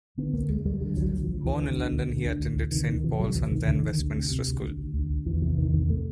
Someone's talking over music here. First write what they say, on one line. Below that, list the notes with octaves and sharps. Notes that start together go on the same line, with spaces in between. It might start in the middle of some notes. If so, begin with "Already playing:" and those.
Born in London he attended Saint Paul's and then Westminster School.
D3 B3
D2 A#3
D2 G#3
D2 G3
D3 G3
D2 F3
F#3
D2
F3
D2
D2 E3
D3
D2
D2
D3
D2
D2
D2
C3 D#3
C3 D#3
C3 E3
C3 F#3
D2 E3
C3 D#3
D2 D3
D2 D#3
D2
C3
C3
D2
D2
D2
D2
D2
E2 E3
C3 E3
E2 D#3
C3 D#3
C3 A3